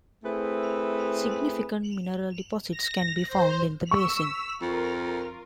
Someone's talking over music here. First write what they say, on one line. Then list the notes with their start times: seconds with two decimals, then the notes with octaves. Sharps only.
Significant mineral deposits can be found in the basin.
0.23 A3 C4 E4 G#4 B4
2.71 A#6
3.27 C5
3.91 C#6 E6 B6
4.61 F2 F4 A#4